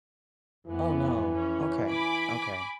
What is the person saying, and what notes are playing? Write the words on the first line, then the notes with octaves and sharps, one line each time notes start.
Oh, no. Okay, okay.
F2 E3 B3
C#4
G#5 B5 D6